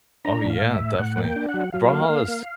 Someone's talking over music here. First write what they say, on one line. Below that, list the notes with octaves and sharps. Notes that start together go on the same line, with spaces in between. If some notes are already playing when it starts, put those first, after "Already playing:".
Oh yeah, definitely. Brawlhalla is
D4 A#5
A2
F5
A2
E5
A2
A2 F#5
A#3
G5
D4
F#5
F#3
F#3 F5
A#3
A#3
A#3